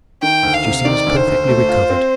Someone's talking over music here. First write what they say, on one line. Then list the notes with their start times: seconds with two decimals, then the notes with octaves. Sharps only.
She seems perfectly recovered.
0.22 D#3 G5
0.43 D2
0.54 F5
0.64 C3
0.85 D#3 D5
1.07 D2
1.16 C5
1.27 D2
1.48 A3
1.69 F4
1.90 C4